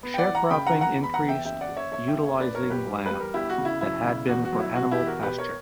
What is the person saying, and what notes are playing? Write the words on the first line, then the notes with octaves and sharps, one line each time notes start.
Sharecropping increased utilising land that had been for animal pasturage.
B3
G5
D5 F#5
E3
F#5 A#5
C#3 G5 B5
F#5 A#5
E3
F#5 A#5
E2
B5
F#5 A#5
E2
E5 G5
F#1 E5 G5
D5 F#5
F#1
C#5 E5
F#1 C#5 E5
E5 G5
F#1
C#5 E5
F#1 B4 D5
A#4 C#5
F#2
G4 B4
G3
G3 B4
A#4
G1 E4 G4
F#4
C#3
E4
F#3 E4
C#3
E2 F#4
F#4
F#3
E4
B2 F#4
E4 G4
E2
F#4 A#4
B2 G4 B4
A#4 C#5